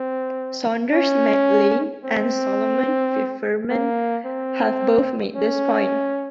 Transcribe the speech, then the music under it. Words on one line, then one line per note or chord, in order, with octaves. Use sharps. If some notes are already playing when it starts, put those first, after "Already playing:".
Saunders Mac Lane and Solomon Feferman have both made this point.
Already playing: C4
C#4
C4
A#3
C4
C#4